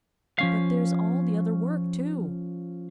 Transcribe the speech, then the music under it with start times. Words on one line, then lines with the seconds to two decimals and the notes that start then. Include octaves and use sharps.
"But there's all the other work, too."
0.39 F3 C#4 F5